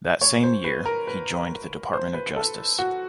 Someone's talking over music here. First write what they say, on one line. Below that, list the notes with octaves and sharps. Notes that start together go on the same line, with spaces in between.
That same year he joined the Department of Justice.
C#5
C5
B4
A#4
B4
C5
B4
A4
F#4